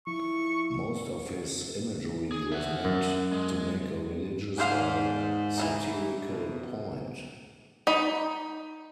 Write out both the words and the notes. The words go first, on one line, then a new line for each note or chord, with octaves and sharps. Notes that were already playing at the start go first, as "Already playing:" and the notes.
Most of his imagery was meant to make a religious or satirical point.
F3 E4 C#6
G#4
E5 F#5
F#2
G#3
G#2 D4 C5 F5
E3 F#3 D#4
B2
D#4 B5